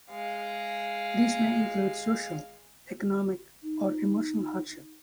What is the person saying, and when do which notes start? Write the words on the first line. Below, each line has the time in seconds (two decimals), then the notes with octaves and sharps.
These may include social, economic or emotional hardship.
0.10 G#3 F5
3.63 D#4